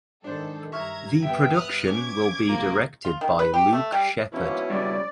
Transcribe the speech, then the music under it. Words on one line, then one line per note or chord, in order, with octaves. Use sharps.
The production will be directed by Luke Sheppard.
G#2 D#3 D4 A4 C5
G2 E5 A#5 C#6 F6 G#6
B3 E5 G5
D#6 F6 F#6
C#4 D6 G#6
C2 F3 A#3
F4
D#3
B4
G4
A3
G3
G#2 B2 F3 A#3 C#4 E4
G2 C#3 D5